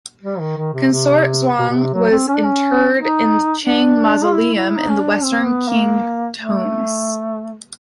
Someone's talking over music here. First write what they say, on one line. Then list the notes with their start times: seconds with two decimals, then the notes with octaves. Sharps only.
Consort Zhuang was interred in the Chang Mausoleum in the Western Qing Tombs.
0.23 G3
0.40 D#3
0.57 D#3
0.74 C3
0.91 C3
1.59 B2
1.69 B2
1.76 C3
1.94 F#3
2.11 C4
2.28 C#4
2.36 D4
2.44 C#4
2.96 D#4
3.64 D4
4.24 F4
4.32 E4
4.54 E4
4.77 D#4
4.89 C#4
5.00 D4
5.23 C4
5.46 B3
5.68 A#3
6.37 A3